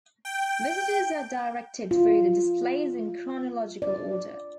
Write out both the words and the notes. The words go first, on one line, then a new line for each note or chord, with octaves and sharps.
Visitors are directed through the displays in chronological order.
G5
F4
D5